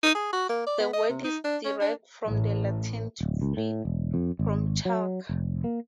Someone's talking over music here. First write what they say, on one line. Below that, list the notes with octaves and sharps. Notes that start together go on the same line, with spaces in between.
The word is derived from the Latin 'to flee from chalk'.
D#4
G#4
F#4
A#3
D5
B3
D#5
C3
D#4
D4
C#4
D4
A1 A2
D1
C#2
A2
E1
F2
G#1
F#3
F1
A#3